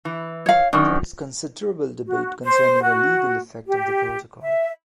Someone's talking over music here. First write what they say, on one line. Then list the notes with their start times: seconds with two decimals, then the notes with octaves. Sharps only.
There is considerable debate concerning the legal effect of the protocol.
0.05 E3
0.46 C#5 F5
0.73 F#2 D#3 D4
2.06 F#4
2.44 C5
2.84 F#4
3.67 G4
4.42 E5